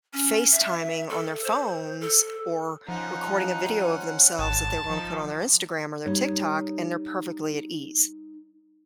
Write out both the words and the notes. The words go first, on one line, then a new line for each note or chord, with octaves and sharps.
FaceTiming on their phones or recording a video of themselves that they're gonna put on their Instagram or their TikTok and they're perfectly at ease.
C#4
E5
A4
C5
A4
F3 C#4 D#4 C5 F#5
G#1 A5
F3 D#4
G3 D#4 C#5